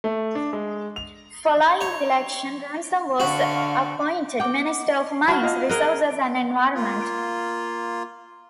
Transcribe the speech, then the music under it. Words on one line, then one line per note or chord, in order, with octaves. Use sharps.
Following the election, Ransom was appointed Minister of Mines, Resources and Environment.
A3
D4
G#3
F7
C#5
D3 F#4 F5 C#6
F#5 G5 D6
F#4 A5 B5 F6
F4 D#5 F5
G#4 A#4 D#5 F#6
A#3 F4